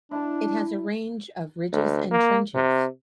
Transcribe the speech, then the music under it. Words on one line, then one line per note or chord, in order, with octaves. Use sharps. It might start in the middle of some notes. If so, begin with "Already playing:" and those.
It has a range of ridges and trenches.
D4 E4 A5
D2
A#3
C3